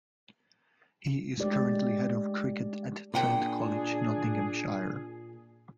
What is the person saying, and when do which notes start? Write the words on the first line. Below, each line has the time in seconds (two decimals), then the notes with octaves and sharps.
He is currently Head of Cricket at Trent College, Nottinghamshire.
1.38 G#3 A3 G4 D5
3.14 A#2 D4 G#4 F#5 G5